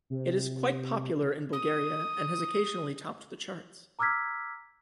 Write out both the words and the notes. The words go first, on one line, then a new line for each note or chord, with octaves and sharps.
It is quite popular in Bulgaria, and has occasionally topped the charts.
C3
D#6
A#5 D6 E6 F6 G#6 B6